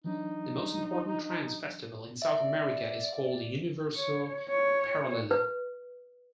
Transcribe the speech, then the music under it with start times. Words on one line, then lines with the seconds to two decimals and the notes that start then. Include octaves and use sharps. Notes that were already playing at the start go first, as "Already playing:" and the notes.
The most important trance festival in South America is called Universo Paralello.
0.04 E3 F#3 D4 D#4
2.22 D5 E5
3.96 C#5
4.49 C#5
5.31 B4